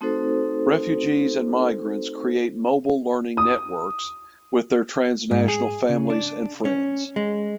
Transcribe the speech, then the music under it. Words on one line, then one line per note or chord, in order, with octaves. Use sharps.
Refugees and migrants create mobile learning networks with their transnational families and friends.
A3 C4 D#4 F#4 A4 C5
D#6
G#2
G#4
C#3
D4
C#4
G#3